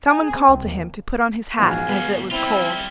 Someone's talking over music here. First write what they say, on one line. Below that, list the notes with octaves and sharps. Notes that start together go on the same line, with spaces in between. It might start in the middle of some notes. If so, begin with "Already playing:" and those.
Some one called to him to put on his hat as it was cold.
G#5
G#4
C4
C2
D#2
A#1 G#2 B2 G#4 F5 G#5
C#2 B2 B3
G3 C4 E4 F4